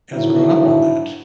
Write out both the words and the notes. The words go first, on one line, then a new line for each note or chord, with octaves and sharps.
has grown up on that,
D3 D#3 F3 F#3 E4